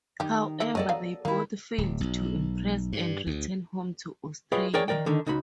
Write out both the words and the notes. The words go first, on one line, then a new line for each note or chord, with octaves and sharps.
However, they both failed to impress and returned home to Australia.
D#3 G3 G4
D3 E5
F#3 A#3 G4 A4 D5 D#5
F#3 B3 F5
D#3 A#3 E4
D1
B1
G2
D2
F4 G#4 B4 C#5 D#5 G5
G#4 A#4 C#5 D5 G5
D#3 E3 A#4 D5 G5
D3 D#3 D#4
C#2 D#4 F#4 B5